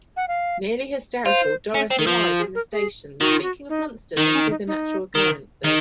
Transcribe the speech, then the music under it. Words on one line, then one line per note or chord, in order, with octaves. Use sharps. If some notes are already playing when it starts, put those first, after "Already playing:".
Nearly hysterical, Doris arrived in the station speaking of monsters and supernatural occurrences.
F#5
F5
F4 C5
C#4
C4
D#3
F3
G#4
A#4
G#4
D#3 F#4
F4
F#4
D#4
D#3 D#4
C#4
D#4
D#4
D#3
D#3 D#4